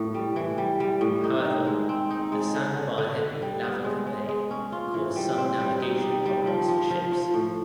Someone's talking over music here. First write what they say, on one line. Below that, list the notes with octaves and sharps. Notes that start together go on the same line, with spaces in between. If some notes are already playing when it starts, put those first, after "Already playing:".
However, the sandbar-heavy Lavaca Bay caused some navigational problems for ships.
Already playing: A2
G3
E3
G3
G3
A2
D#4
D#3
G#3
C4
D#4
G#3
D3
D3
D3
D3
G3
B3
G#3
G#3
G#3
C#4
F4
E3
G3
C4
G3
D#4
G3
G3
F3
F3
F3
F3
A2